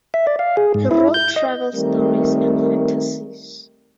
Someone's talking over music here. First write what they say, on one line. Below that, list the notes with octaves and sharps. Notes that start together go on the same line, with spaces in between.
He wrote travel stories and fantasies.
E5
D5
F5
G#4
G#2
E4
G6
D#5
D#3 G3 A3 C4 A#4